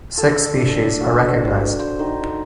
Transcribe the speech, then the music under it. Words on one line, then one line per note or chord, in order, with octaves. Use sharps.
Six species are recognized.
A4
D4
F#4
C5
D#3